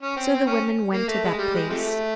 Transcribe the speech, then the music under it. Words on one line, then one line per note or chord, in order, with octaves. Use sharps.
So the women went to that place.
C#4
C4
C4
C#4
A#3
A3
G#3
G3
G#3
C3 F3 A3